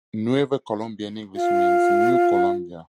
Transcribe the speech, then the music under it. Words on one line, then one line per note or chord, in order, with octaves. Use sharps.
Nueva Colombia, in English, means "New Colombia".
F4 F5